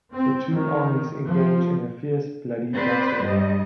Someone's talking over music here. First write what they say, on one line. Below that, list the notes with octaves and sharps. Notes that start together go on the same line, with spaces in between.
The two armies engage in a fierce, bloody battle.
C4
D#3
F3
C4 B4 C5 D5
G2 G3 D#5